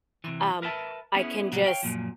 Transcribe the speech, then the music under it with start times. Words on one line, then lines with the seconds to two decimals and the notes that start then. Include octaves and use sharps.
um, I can just
0.24 C3 E3
0.62 A#4 B4 E5 G5 A5
1.15 B3 C#4 E4 G#4
1.52 A#2 C#3 F#3 G3 B3
1.64 C#5 F5 G5
1.83 F#2 A#2 F3